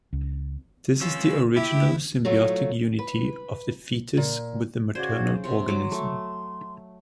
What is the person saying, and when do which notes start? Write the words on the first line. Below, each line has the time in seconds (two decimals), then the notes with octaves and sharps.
This is the original symbiotic unity of the fetus with the maternal organism.
0.13 C#2
1.01 C#4 F4 E6
1.57 E4 G4 E5
2.25 F#3 A3 F4
2.99 B4
4.17 A#2
4.95 C#3 F#4 C5 D5 G#6
5.44 C3 C#5 C6
5.68 F#3 D6
5.92 A3